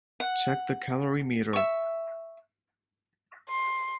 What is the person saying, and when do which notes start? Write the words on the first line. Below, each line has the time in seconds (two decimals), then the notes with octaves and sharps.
Check the calorimeter.
0.20 F#5
1.53 E5 C#6
3.49 C6